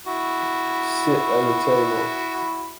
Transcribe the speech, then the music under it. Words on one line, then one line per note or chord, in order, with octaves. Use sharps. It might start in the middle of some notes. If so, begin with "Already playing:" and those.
Sit at the table.
E4 F#4